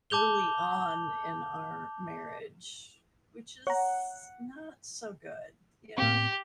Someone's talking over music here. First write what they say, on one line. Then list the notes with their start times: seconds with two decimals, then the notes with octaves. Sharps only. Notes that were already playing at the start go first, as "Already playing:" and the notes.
early on in our marriage, which is not so good, you know?
0.10 A5 D6 G6 F7 G7
3.67 C#5 F#5 A#5
5.98 A2 B3 C4 G4